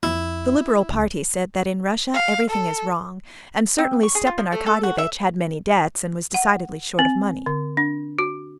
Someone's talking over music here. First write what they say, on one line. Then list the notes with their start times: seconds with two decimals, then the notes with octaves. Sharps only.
The liberal party said that in Russia everything is wrong, and certainly Stepan Arkadyevitch had many debts and was decidedly short of money.
0.03 F2 E4
0.90 C#2
2.14 F5
2.50 A4
3.78 C4
4.03 C#6
4.15 G#4
4.27 F4
4.38 F3
4.52 A3
4.66 A4
4.83 F#4
4.98 E5
6.34 F#5
6.99 C4
7.46 D3
7.77 D4
8.19 F#4